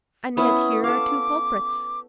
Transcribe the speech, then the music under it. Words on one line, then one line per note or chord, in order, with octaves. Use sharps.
"And yet here are two culprits."
B3 C#4 E4 D#6
A4 F5 D6